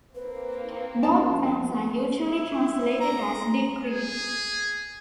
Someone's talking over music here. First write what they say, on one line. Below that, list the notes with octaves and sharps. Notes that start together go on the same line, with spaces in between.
Both terms are usually translated as "decree".
A#3 C4 B4
F2 C#4 A5 A#5
E4
A#5
G#4